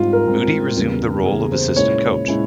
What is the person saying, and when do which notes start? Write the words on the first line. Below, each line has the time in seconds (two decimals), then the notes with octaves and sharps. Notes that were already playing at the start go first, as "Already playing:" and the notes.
Moody resumed the role of assistant coach.
Already playing: G#2 G3 C4 F4
0.13 A#4
0.26 G#2 G3 C4
0.76 E2 C#3 G3 A#3
1.26 E2 C#3 G3 A#3 G#4
1.52 C5
1.76 A#2 G#3 C#4 E4 C#5
2.28 A#2 G#3 C#4 E4